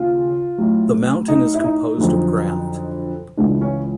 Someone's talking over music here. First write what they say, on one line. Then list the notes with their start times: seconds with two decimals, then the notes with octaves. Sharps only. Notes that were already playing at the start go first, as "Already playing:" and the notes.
The mountain is composed of granite.
Already playing: D#2 C#3 F4
0.58 A2 F#3
1.28 D#4
1.54 E4
1.64 D#4
1.98 F2 D3 F#3
3.37 C#2 C#3 E3 G#3 D4
3.61 C#4